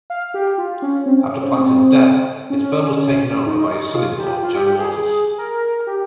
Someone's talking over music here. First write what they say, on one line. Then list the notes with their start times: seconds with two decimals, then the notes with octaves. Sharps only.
After Plantin's death, his firm was taken over by his son-in-law, Jan Moretus.
0.10 F5
0.34 G4
0.58 F4
0.82 C#4
1.06 C4
1.18 C#4
1.31 C#4
1.42 C4
2.50 C#4
3.47 D#4
3.94 F4
4.18 G4
4.43 F4
4.55 G4
4.67 G4
4.79 G#4
4.90 G#4
5.38 A#4
5.87 G4